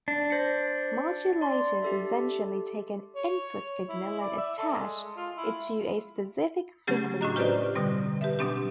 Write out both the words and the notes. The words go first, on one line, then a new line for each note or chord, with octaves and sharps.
Modulators essentially take an input signal and attach it to a specific frequency.
D4
C5 A#6 C#7
D5 C6
G4 A4 E5
C#5
E4
D5
E5
A4
G#3
F4
E4
C#3 F#3 A3 C#4 G4 G#4
A2 C#4 D4 F#4 D#5 A#5
F4 G4 B4 C5 D5 D#5
B2 D3 G3 C4
G4 B4 E5
B2 F#3 C4 D4 G4